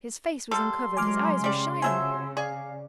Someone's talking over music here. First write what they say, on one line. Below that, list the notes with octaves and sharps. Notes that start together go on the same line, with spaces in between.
His face was uncovered, his eyes were shining.
G3 A#3 A4 C6
F#3 G#3 G#5 D6 F6
C#3 G3 D5
F3 F#3 E5 G#5 E6
G#4 D5 F5 G#5